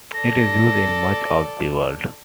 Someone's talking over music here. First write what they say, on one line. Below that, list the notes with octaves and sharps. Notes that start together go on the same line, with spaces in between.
It is used in much of the world.
A4 D5 A#6